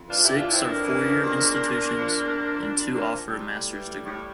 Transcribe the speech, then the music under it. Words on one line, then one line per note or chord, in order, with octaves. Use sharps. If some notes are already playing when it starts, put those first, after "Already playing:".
Six are four-year institutions, and two offer a master's degree.
Already playing: F2
E3 D4 F4
E3 E4 G4
D4 F4
E3 C4 E4
F2 A#3 D4
E3
F2
E2
E2
E2
E2
F3
E2
C3
F2
F2
C3 A#3 D4
F3
C3 G3
A2
E3
A2
A2